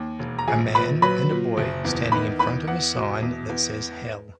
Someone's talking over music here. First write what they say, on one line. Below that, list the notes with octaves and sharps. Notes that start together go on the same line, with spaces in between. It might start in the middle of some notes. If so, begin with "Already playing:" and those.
A man and a boy standing in front of a sign that says HELL .
Already playing: D#2
E1
A#5
A#1 G#4 G#5
A#2 B4 B5
F#3 B4 B5
A#2
F#1
E2
D#3 B4 B5
E2 B4 B5
E2 F#5
B2
E2
E2